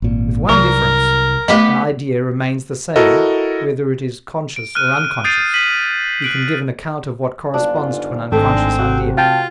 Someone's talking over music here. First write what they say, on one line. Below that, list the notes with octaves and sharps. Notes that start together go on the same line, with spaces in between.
With one difference, an idea remains the same whether it is conscious or unconscious; we can give an account of what corresponds to an unconscious idea.
G#1 A#2
C2 F#3 A#4 A#5
A3 B3 G4 B4 D#5
E4 F#4 A4 A#4 D#5
D7
F6 F#6 D#7
D#6 G6 A6 C7 D7 D#7
B6 D#7 F#7
F#6 D7 F#7
G1 G#2 D4 F4
G#1 G#2 G#3 A3 C4 D4
C3 F#4
F4 F5 G5 A5